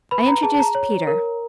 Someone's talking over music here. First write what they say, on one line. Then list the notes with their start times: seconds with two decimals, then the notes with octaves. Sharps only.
I introduced Peter.
0.11 B4 B5
0.23 B5
0.27 A#5
0.43 G#4 A5
0.54 A5
0.59 A#5
0.75 C#5
1.07 A#4